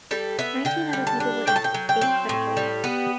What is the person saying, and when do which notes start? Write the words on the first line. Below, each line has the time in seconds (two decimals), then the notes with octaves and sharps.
Nineteen other people were injured, eight critically.
0.11 G3 A4
0.39 B3 E5
0.65 D3 G5
0.93 G3
1.07 A5
1.20 D4
1.47 A2 G5
1.56 A5
1.64 G5
1.74 F#3
1.89 G5
2.01 C4
2.29 A2
2.57 G3
2.84 B3